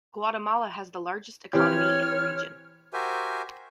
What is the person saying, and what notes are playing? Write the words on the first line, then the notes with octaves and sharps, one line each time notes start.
Guatemala has the largest economy in the region.
E3 C4 G4 C#5 F6
F#4 G4 A#4 C5 E5 G#5